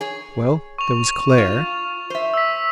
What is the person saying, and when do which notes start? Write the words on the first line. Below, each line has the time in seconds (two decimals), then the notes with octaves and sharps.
Well, there was Clare.
0.01 G#4 C#5
0.78 C#6 F7
1.38 F4
2.10 C5 E5
2.34 E6 B6